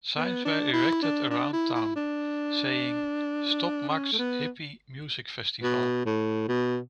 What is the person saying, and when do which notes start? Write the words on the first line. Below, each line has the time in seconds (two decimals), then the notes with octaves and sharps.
Signs were erected around town, saying, Stop Max's Hippie Music Festival.
0.16 B3
0.45 D4
0.73 E4
1.03 D4
1.31 D4
1.53 E4
1.75 E4
1.96 D4
3.90 C#4
4.13 A3
4.19 B3
5.63 B2
6.05 A2
6.48 B2